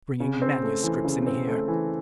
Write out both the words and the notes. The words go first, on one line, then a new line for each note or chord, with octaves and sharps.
Bringing manuscripts in here!
C#3
C4
A3
E3
C#3
C4
A3
E3